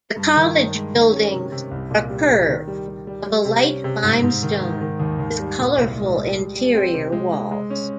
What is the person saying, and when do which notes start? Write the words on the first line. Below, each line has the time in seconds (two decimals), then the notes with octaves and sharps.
The College buildings are curved, of a light limestone with colourful interior walls.
0.16 G2
0.36 D#3
0.55 G2
0.75 G#3
0.94 D#3
1.13 C#4
1.32 C3
1.52 C3
1.71 C2
1.90 A#2
2.10 G3
2.29 C2
2.49 D#3
2.67 G3
2.88 G3
3.07 G3
3.26 G3
3.45 C3
3.65 C#4
3.84 C3
4.03 G#2
4.23 G#2
4.43 D#3
4.61 G#2
4.81 D#3
5.00 D#2
5.19 D#2
5.39 G3
5.59 A#2
5.77 C2
5.97 G#3
6.16 G#3
6.35 G3
6.55 G3
6.75 C4
6.94 C3
7.12 G#3
7.33 G#3
7.51 G#3
7.70 C#4